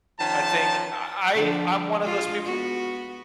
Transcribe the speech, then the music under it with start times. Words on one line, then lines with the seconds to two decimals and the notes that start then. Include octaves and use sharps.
I think I I I'm one of those people
0.20 D#3 F3 C#4 A5
1.35 D3 F3 D4
2.02 G#3 F4
2.44 B3 F#4